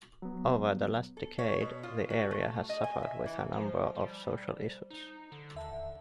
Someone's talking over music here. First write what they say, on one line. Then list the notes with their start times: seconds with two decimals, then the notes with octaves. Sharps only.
Over the last decade, the area has suffered with a number of social issues.
0.22 F#3 B3
1.17 A4
1.38 C#5
1.61 B2
1.83 F4
2.10 F#4
2.31 A3
2.69 D#5
2.84 G#5
3.03 E5
3.26 E3
3.52 F3 C5
3.95 G3
4.90 D#4
5.32 D3
5.55 D#2 E5 A5